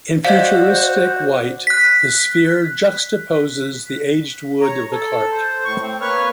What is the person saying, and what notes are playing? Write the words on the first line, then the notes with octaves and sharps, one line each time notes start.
In futuristic white, the sphere juxtaposes the aged wood of the cart.
F#4 C5 D5 D#5 F5
F#6 B6
C#5 A#5
A4
C5
A2 C#6
C4
A#3 B4 C#5 C#6 F6